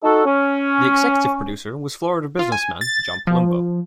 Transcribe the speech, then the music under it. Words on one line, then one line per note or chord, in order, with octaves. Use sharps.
The executive producer was Florida businessman John Palumbo.
D#4 F#4 A4
C#4
F4
G#5
A6
F3